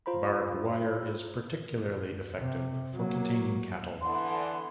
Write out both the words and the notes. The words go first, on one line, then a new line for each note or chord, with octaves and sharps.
Barbed wire is particularly effective for containing cattle.
F4 C5 A#5 B5
C3
F#3 A#3
D3 E3 B3 C6